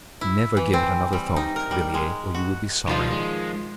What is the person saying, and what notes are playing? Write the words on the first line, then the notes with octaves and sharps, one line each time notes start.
Never give it another thought, Villiers, or you will be sorry.
E4
E3
C4
G3
D#4
A#4
G3
G#3
F#4
B2 D#3 F3 G3 F4
G#3